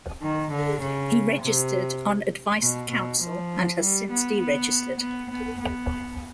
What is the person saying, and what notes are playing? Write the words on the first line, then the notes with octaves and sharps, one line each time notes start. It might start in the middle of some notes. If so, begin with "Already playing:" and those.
He registered on advice of counsel and has since deregistered.
D#3
D3
C#3
C3
B2
B2
F3
G3
B3
B3
B3
B3
B3